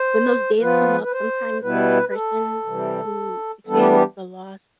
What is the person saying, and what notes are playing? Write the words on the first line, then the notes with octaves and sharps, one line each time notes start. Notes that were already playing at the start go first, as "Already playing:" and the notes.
When those days come up, sometimes the person who experienced the loss,
Already playing: C5
F3 B3 F4 B4
B4
C5
B2 G3 B3 E4 B4
B4
A4
C3 E3 G3
E3 G3 B3 D4 A4
G4
G4